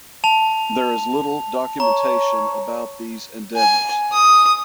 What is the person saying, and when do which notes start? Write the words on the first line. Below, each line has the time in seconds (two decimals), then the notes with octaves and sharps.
There is little documentation about these endeavors.
0.24 A5 F7
1.80 C#5 A#5
3.56 G#5
4.12 D#6